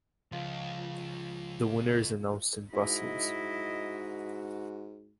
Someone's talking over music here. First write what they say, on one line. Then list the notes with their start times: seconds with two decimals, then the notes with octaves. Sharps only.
The winner is announced in Brussels.
0.32 C#2 F3 F4 E6
2.73 G#2 E4 F#4 D#5